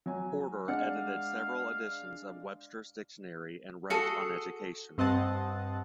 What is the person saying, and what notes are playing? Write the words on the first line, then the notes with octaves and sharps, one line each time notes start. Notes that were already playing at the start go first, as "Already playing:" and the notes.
Porter edited several editions of Webster's Dictionary, and wrote on education.
F#3 G#5
G#3 D4 F5 F#5
F#4 G#4 A4
G2 C4 D#5 F#5 A5